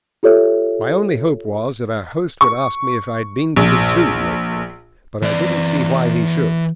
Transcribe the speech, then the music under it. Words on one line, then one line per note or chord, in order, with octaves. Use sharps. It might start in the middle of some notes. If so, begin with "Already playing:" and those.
My only hope was that our host would ask me if I had been to the Zoo lately, but I didn't see why he should.
F4 G4 A4 C#5 E5
C#6
A#1
E3 D5